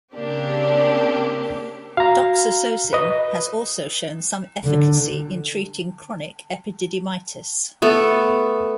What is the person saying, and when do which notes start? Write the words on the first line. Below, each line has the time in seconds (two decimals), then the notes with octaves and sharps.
Doxazosin has also shown some efficacy in treating chronic epididymitis.
0.14 C#3 A#3 C4 D4 G4
1.97 F#4 F5 A#5
2.93 B4 D#5
4.65 D3
7.82 A3 B3